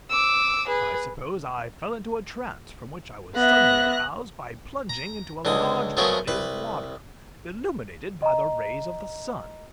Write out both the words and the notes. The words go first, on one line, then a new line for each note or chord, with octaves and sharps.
I suppose I fell into a trance, from which I was suddenly aroused by plunging into a large body of water illuminated by the rays of the sun!!
D6 E6
G#4 B4
B3 E5 F#6 A#6
A#5
C#2 D3 G#3 D#6
F3 F#3 A3 B3 G#4 A#4
C2 B4 B5
D#5 A#5